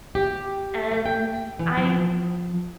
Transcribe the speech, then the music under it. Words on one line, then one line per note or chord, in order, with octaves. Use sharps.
and I
G4
A3
G5
E3
F3